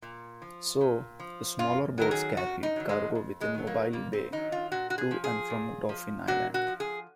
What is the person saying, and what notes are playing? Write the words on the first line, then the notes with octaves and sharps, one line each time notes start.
So, smaller boats carried cargo within Mobile Bay to and from Dauphin Island.
A#2
F3
A#2
F3
F#2 F4
D#3 F#3 A#4
G#4
F#2 F#4
D#4
D#3 F#3
G#3
F2
G#3
D#3 F#3
A#3
F2 A#3
C4
D#3 F#3 D#4
F4
A#2 F#4
F#4
G#4
F3
G#4
A#2
F3
A#2 F#4
F#4
F3
G#4